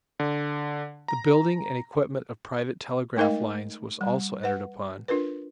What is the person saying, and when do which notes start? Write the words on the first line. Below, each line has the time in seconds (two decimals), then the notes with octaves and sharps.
The building and equipment of private telegraph lines was also entered upon.
0.19 D3
1.08 A#5
3.16 G#3 A3 D#4 A#4 D#5 F5
4.01 G3
4.43 B4 F#5
5.08 D4 F4 A#4 B4